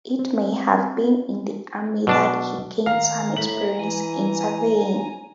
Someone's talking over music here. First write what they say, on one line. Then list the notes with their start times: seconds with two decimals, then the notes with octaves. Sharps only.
It may have been in the army that he gained some experience in surveying.
0.19 C4
2.07 B2 F#3 D4 A5
2.86 D#3 F5 A#5
3.37 A2 E5 F#7
3.79 E3 G#5